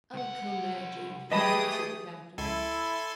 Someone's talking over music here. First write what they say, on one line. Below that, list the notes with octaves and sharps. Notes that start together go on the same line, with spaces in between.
"Oh, come now, J. P.," said the captain.
C2 F#5
A3 G4 G#4 B4 D#5 A5 B5 D#6
C#2 E4 A4 G#5 C6